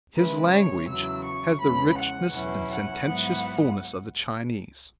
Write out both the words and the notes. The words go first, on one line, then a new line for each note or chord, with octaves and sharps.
His language has the richness and sententious fullness of the Chinese.
C#3 G#3 E4 B4
C#5
E2 C#3 F#3 E4 E6
C#6
E2 C#3 E3 G#3 C#4 B5
F#5
E2 B2 F#3 C#4 E4
F#5
G#2 F#3 B3 E4